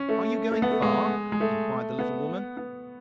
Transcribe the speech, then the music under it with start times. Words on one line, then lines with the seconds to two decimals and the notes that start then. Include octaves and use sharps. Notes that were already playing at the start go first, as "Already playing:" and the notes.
Are you going far?' inquired the little woman.
Already playing: C#4
0.09 A3
0.52 A3
0.62 B3
0.71 A3
0.82 G#3
1.32 G#3
1.40 A3
1.99 B3
2.57 B3